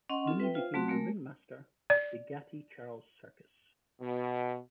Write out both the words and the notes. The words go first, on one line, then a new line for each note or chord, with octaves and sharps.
Mooney became a ringmaster with the Gatti-Charles Circus.
C#4 D#5 F#5 C6
C4 F4 A4
B4 E5 G5
F4 C5 F5
F#3 A3 C4 F#4 C6
G#3 A3 A#4
D5
B2